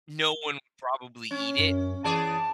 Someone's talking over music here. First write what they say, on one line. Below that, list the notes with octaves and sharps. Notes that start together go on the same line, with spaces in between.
no one would probably eat it.
C#4
F#2
E3 G#4 D5 A5